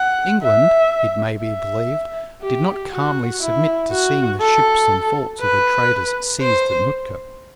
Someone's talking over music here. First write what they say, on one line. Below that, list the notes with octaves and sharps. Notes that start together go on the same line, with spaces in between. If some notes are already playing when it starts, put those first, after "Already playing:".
England, it may be believed, did not calmly submit to seeing the ships and forts of her traders seized at Nootka.
Already playing: F#5
E5
E5
G4
F#4
E4
F#4
A4
B4
C5